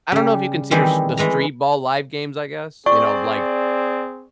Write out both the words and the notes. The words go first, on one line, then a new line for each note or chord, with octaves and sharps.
I don't know if you can see the street ball live games, I guess, you know, like,
C#3 G3
D#3 E3 G3 C4 G#4 A4
E3 G#3 A3 A#5
C4 G#4 D5 C#6